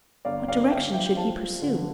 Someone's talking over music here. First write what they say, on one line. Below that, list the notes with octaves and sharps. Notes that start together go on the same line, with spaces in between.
What direction should he pursue?
G1 D5 F5
G1 D5 F5
G1 E5 G5
F3 E5 G5
G5
F3 F5 A5
F3
D3